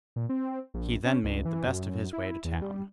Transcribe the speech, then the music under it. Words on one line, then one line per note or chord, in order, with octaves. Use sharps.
He then made the best of his way to town.
A#2
C4
A#1
C#4
C#2
E3
F#2
E4
E2
G3